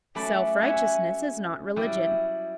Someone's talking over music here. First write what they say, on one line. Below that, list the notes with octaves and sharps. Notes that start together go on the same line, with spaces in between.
Self-righteousness is not religion.
F#3 A3 C#4 D5 A5 B5
C#4 C#5 E5 F#5 G#5 B5
F#3 G3 E4 G4